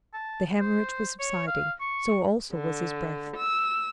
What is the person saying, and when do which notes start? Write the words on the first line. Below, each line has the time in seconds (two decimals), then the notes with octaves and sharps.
The hemorrhage was subsiding; so also was his breath.
0.13 A5
0.60 C5
1.19 C#5
1.47 F5
1.80 C#6
2.53 D3
3.36 E6